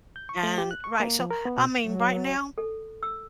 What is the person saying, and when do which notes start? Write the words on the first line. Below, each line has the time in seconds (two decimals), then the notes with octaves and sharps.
And right, so, I mean, right now,
0.16 G6
0.29 C#6
0.43 A3
0.58 G4
0.71 F#6
0.84 C#6
1.00 A#3
1.19 F3
1.31 A#4
1.45 B3
1.58 B2
1.87 F#3
2.58 A4
3.03 E6